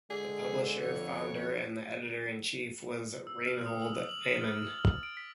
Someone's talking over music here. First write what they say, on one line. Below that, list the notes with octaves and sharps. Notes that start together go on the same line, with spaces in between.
The publisher, founder, and editor-in-chief was Reinhold Aman.
D3 G#3 G#4
F2 C#5
E6
F6
D#6
F#7
F#7
A6
F6
F6
D7
B6